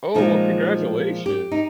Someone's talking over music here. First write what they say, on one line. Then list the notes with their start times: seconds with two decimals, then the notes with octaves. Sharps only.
Oh, well, congratulations!
0.14 A#2 F3 G#3 D#4
1.26 G4
1.52 D#4